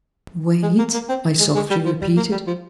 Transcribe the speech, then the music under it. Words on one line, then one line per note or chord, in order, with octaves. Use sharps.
"Wait?" I softly repeated.
G#3
A#3
A#3
C4
G#3
G#3
G3
F3
G3
A#3
G3
F3